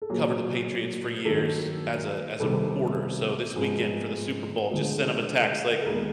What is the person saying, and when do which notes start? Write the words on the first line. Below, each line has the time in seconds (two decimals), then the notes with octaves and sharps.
covered the Patriots for years as a as a reporter. So this weekend for the Super Bowl just sent him a text like,
0.02 A4
0.09 A#2 F#3 A#3 G#4
1.24 G2 D#3 F#3 A#3 A4
2.40 C2 C3 D#3 G3 B3 A4
3.56 G#2 F3 G#3 B3 G#4
4.70 D2 D3 F3 G#3 B3
5.82 A4
5.85 D#2 D#3 G#3 B3 A#4